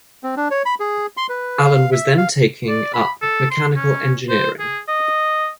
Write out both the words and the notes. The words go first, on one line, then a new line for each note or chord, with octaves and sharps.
Allan was then taking up Mechanical Engineering.
C4
D4
C#5
B5
G#4
C6
B4
F5
E5
F5
D5
B5
A4
C6
C#4
C5
G#4
D#5